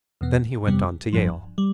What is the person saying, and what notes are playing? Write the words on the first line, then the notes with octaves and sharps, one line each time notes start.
Then he went on to Yale.
E2 B2 B3
F2 C3 G3 B3
G1 G2 F3
G3